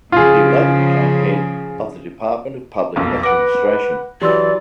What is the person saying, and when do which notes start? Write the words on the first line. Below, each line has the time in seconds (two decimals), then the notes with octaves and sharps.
He later became Head of the Department of Public Administration.
0.12 C#3 F3 F4 G#4
2.96 F#1 B1 F2
3.23 B4 F#5 D6 A#6 D7
4.22 E3 F#3 G4 D5 C6 E6